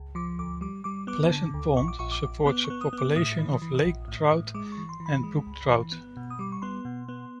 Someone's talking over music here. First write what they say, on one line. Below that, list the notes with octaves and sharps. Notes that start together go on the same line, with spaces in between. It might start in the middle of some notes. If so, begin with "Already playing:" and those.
Pleasant Pond supports a population of lake trout and brook trout.
Already playing: C#2
F3 D6
D2 D6
G3 D6
G3 D6
B3 D6
D3
D2
A#1 C#6
D6
A#1 C#6
D6
A#1
B3 D6
C#6
B3
D#6
B3
D6
A2 D#6
E3
E3
A#1
A2
A2
G#3 D6
C#6
E3
C6
E3
B5
G#3
C#2
E3
B3
B2
D#6
G3 D6
C#6
B3 C6
B2
B3